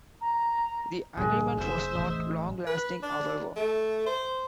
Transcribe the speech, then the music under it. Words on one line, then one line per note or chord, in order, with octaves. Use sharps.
The agreement was not long-lasting, however.
A#5
D1 A#1 G2 G#3
F1 C5 E5
A1 D#5
B4
D4
A3
C5